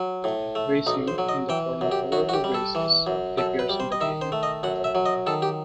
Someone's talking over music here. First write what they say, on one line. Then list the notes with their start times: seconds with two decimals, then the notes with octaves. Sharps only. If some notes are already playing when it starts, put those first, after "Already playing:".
Racing, in the form of hoverboard races, appears in the game.
Already playing: F#3
0.24 A2
0.55 A3
0.87 B1 D#4
1.08 C5
1.18 F#3
1.29 D#5
1.49 E3 G5
1.81 F#2
1.91 G4
2.12 F#2 F#4
2.29 F#4
2.34 G4
2.44 G3
2.54 A4
2.75 E3
3.07 F#2
3.38 F#2 A4
3.59 B4
3.69 G3
3.80 C5
3.92 D#5
4.01 D#3 E5
4.21 C5
4.32 A3
4.43 D#5
4.63 F#2 F#5
4.84 E5
4.95 F#3
5.06 D#5
5.27 D#3 A4
5.42 G4